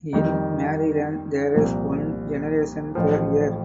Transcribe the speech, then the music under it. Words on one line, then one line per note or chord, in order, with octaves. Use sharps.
In Maryland there is one generation per year.
F2 D#3 G3
C2 A#2 F3
A1 A2 F3